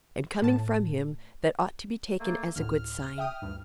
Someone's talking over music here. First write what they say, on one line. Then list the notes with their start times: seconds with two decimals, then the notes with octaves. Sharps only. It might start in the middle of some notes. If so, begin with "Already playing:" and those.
And coming from him, that ought to be taken as a good sign.
0.42 A2 A5
2.20 A3 A#3
2.56 D2 A2 F6
3.18 E5 G5 D#6
3.42 D2 G2